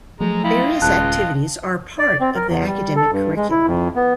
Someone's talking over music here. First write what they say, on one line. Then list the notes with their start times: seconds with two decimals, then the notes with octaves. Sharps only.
Various activities are part of the academic curriculum.
0.20 F3 F#3 G#3 A3 A#5
0.44 E4 F4 D#5 G5
0.82 D#1 C#2 A5 F#6
1.99 D5
2.21 C4
2.35 A#4
2.48 E2
2.67 G3
2.96 A4
3.12 G2
3.36 G#3
3.50 E4
3.67 F2
3.96 B3